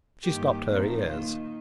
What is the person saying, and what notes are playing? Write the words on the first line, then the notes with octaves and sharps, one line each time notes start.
She stopped her ears.
G2 D#3 A#3 G4
A#2 F3 A3 C4 D#4
D#3 A#3 D#4 F4